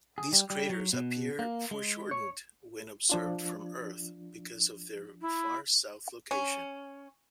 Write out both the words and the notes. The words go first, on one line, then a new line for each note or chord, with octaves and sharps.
These craters appear foreshortened when observed from Earth because of their far south location.
G#4
G3
G3
F#3
B2
A#3
G#3
C#5
F3 D4 F4
E4
C#4